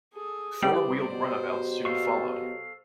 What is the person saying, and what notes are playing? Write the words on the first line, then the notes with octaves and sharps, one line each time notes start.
Four-wheeled runabouts soon followed.
G#4 A4
G2 G3 E4 B4 C5 D5
B2 F#3 G4
A4 F5 C#6